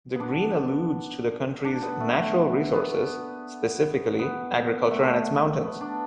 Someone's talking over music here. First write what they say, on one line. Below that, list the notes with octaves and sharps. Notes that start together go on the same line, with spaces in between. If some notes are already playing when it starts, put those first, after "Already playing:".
The green alludes to the country's natural resources - specifically agriculture and its mountains.
B3 D4
D4
B3
A3
B3
B3
A3
B3
D4